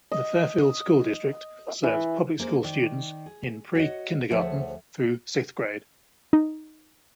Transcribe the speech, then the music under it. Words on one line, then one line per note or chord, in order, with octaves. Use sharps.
The Fairfield School District serves public school students in pre-kindergarten through sixth grade.
D#5
E3
A#3 G#4 C5
D#3 D5
G#4
F#4 C#5 D#5
D2 F3 G#4 C#5 E5 F#5
D#4